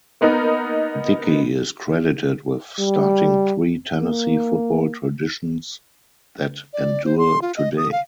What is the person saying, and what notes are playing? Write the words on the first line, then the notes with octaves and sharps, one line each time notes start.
Dickey is credited with starting three Tennessee football traditions that endure today.
A#3 B3 D#4 A#4 D#5
G3
A#3
D5
C5
C6
F4
D#5
D#6
F5